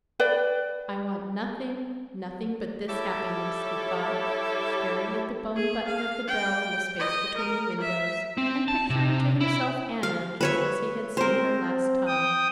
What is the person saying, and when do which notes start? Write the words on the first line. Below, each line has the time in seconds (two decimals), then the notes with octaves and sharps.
"I want nothing, nothing but this happiness," he thought, staring at the bone button of the bell in the space between the windows, and picturing to himself Anna just as he had seen her last time.
0.20 B4 D5 G5
2.88 G3 E4 G4 A4 C#5 E5
5.56 G#4
5.88 F5
6.28 G5
7.00 D#5
7.38 A#4
7.81 E5
8.38 C4
8.68 A5
8.90 C3
9.41 E4
10.03 F5
10.41 B4 C#5 E5
11.17 C4 A#4 C5
12.07 G5 D#6